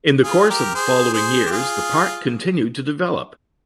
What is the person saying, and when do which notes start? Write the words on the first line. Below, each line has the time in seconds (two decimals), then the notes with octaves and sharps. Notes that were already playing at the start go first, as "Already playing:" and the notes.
In the course of the following years the park continued to develop.
0.24 F4 G#4
0.50 G4 A#4
0.75 G#4 C5
1.14 G#4 C5
1.46 G4
1.51 F4 G#4